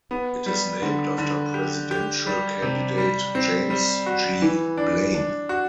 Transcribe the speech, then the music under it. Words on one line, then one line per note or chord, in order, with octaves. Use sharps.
It is named after presidential candidate James G. Blaine.
B3
G3
D3
D3
G4
G4
G3
C3
G3
C4
G3
F#4
E3
D4
D4
F#4